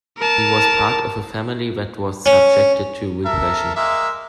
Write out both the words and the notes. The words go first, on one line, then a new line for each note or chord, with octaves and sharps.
He was part of a family that was subjected to repression.
A#4 A5
C#4
A4 A#4 E5
G#3 A#3 E5